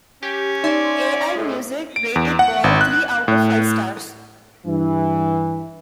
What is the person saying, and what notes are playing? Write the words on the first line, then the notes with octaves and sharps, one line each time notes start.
AllMusic rated "Ball" three out of five stars.
C#4 G4
D#4 D5 E5 C6
A2 G#3
D7
E2
F#5
G#1
F#6
A2
G2 E3